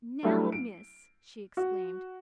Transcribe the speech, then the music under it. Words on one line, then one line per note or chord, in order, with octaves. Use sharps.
"Now, Miss!" she exclaimed.
F#3 G3 A3 D4 E4
D7
F#4